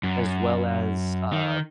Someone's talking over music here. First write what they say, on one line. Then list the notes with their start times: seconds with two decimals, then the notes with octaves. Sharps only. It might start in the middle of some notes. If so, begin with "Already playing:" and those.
as well as, uh,
0.03 F#2
1.33 D#3